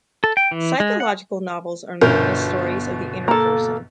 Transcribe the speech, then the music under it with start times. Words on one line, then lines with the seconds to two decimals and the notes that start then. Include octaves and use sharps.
Psychological novels are known as stories of the inner person.
0.24 A4
0.37 G5
0.51 E3
0.80 G#3
1.00 F#5
2.01 G1 B2 C#4 A#4 G6
3.28 A#3 A4